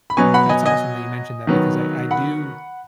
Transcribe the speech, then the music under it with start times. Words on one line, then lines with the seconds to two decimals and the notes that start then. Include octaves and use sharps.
that's awesome that you mentioned that because I I do,
0.10 B5
0.17 B2 F#3 B3 G#5 C#6
0.34 F#5 B5
0.49 D#5 G#5
0.66 D#5 G#5
1.47 D#3 F#3 B3
2.11 F#5 B5